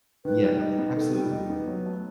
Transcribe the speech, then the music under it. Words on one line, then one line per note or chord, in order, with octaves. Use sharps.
Yes. Absolutely.
D#3 B4
G3
D#4
B3
D#3 A4
G3
D#4
B3
F#3
A3